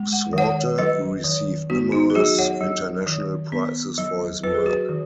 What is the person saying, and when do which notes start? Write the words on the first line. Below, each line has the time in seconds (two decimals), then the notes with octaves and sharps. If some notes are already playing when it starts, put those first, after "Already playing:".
Swarte received numerous international prizes for his work.
Already playing: G#3
0.12 F#5
0.33 D#3 C#5 F#5
0.78 F#3 B4 D#5
1.24 D#3
1.70 B3 F#4
1.92 D#4
2.10 G#4
2.15 F#3 F#4
2.38 C#5 F#5
2.61 F#3
3.06 D#3
3.52 B3
3.98 F#3
4.44 F#3 B4
4.55 G#4
4.66 F#4 B4
4.89 D#3